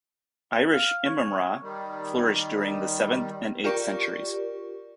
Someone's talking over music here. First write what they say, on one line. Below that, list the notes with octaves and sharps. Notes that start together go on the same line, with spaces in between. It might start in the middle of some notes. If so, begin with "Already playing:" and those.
Irish immrama flourished during the seventh and eighth centuries.
F5
C#5
D#3 G3
F4 G4 A#4 D5 C#6